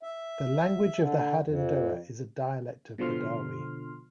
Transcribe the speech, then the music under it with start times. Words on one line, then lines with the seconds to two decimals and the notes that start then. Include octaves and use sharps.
The language of the Hadendoa is a dialect of Bedawi.
0.03 E5
1.00 D3
1.45 F2
2.98 B2 D3 F3 C6 F6